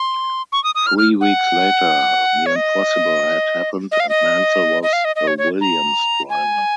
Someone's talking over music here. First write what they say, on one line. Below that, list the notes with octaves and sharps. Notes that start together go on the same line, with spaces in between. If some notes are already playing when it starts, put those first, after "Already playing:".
Three weeks later the impossible had happened and Mansell was a Williams driver.
Already playing: C6
C#6
D#6
D#6
F6
F6
F#5
C#5
D#5
D#5
F5
D#5
D#5
F5
D#5
D#5
C#5
C#5
A#5
G#5